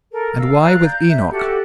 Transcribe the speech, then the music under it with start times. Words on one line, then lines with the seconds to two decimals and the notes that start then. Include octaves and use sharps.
"And why with Enoch?"
0.11 A4 A#4
0.38 F5 E6
0.60 D5 F5 A#5 F#6
0.82 G6
1.08 E5
1.30 F#4 G4 A4 F#5